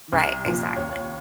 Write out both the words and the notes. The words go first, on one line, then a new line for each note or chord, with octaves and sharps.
Right, exactly.
C2
A#2 F3
D#2 C#5